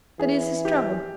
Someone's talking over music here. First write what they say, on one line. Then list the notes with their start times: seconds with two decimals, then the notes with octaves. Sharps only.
'That is his trouble.
0.19 E3 G#4
0.65 G4